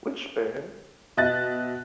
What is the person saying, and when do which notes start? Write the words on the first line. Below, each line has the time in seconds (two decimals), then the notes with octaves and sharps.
Which pen?
1.17 B2 D#5 E5 F#6 A6